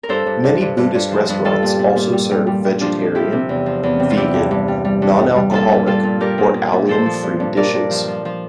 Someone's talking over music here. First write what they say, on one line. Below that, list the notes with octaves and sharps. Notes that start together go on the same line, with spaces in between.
Many Buddhist restaurants also serve vegetarian, vegan, non-alcoholic or allium-free dishes.
A#4
G2 A4 C5
G2
G2
G2
G2
G2
F3
G2
G3 F4 A4
A#2
A#2
A#2
G3
G3
G3
G3
F3 D4 F4
F3
F3 E4 G4
C3
E2
F3
E2
C3
F4
G3 E4 G4
G2
G2
G3
G3
G2
G3
G3
A#2 F4 A4
A#2
G3 F4 A4
A#2
G3 G4 A#4
A#2
A#2
A#2
F3 A4 C5
F3
G2
G2
G2 A#4 D5
G2
F3
F3
F3